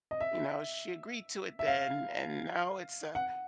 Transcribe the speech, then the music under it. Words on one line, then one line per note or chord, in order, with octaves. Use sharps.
you know, she agreed to it then and now it's a"
D#5
E5
E5
F5
F#5